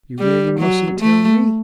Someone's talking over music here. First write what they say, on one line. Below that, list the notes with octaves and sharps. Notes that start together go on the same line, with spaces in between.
"You really mustn't tell me?"
G3
F#3
A3